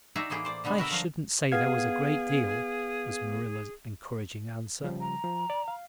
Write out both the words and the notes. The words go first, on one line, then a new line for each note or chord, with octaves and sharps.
"I shouldn't say there was a great deal" was Marilla's encouraging answer.
D#4 F#4 G#4 D5 E5 A#5
A2 E3 A#3 G#4 G5
C5 D5
B2 D3 G3 B3
F#4 A#4 E5
F3 F#3 F5 A#5
B3 G#4 F5 G#6
C#3 F3 G3
A#5
F3
D5
F5